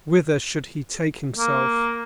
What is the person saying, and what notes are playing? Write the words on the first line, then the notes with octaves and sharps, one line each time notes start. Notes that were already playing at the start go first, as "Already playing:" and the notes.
Whither should he take himself?
A#3